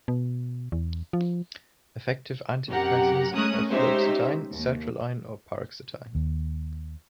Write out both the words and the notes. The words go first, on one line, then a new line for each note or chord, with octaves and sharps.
Effective antidepressants are fluoxetine, sertraline, or paroxetine.
B2
E2
F3
F#2 C3 G4 A#4 F#5
G#3 A3 C#4 A#4 D#6 F#6
G#3 C#4 D#4 G4 C5 E5
D#2
D#2